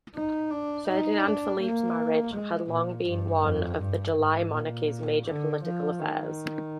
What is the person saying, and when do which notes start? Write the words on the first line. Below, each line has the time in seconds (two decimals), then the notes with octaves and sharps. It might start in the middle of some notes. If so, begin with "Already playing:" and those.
Ferdinand Philippe's marriage had long been one of the July Monarchy's major political affairs.
0.15 D#4
0.51 D4
0.88 D#4
1.24 D4
1.61 A#3
2.34 G#3
2.70 A#2
3.06 G2
3.43 F2
3.80 G2
4.17 G#2
4.53 A#2
5.26 D3
5.63 F3
6.00 D#3